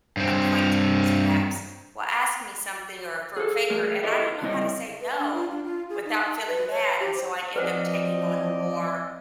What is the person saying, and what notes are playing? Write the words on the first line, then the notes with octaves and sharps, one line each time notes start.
acquaintances perhaps will ask me something, or for a favor and I don't know how to say no without feeling bad, and so I end up taking on more
G2 C4
G#4 A4
A3 G#4 A#4
E4 G4 A4 B4 D#5 E5
C#2 G3 C4 E4 D#5
B4
D4
F4
D4
F4
G#4
D#4
A5
B4
C#5
G4
C5
F3 C4 B4 C5 D5 D#5 F#5